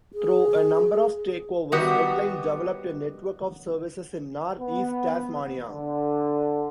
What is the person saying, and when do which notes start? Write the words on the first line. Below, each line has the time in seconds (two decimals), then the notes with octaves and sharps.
Through a number of takeovers, Redline developed a network of services in north-east Tasmania.
0.14 G#4
1.72 D#3 G3 B3 F#4 F#5
4.59 B3
5.68 D3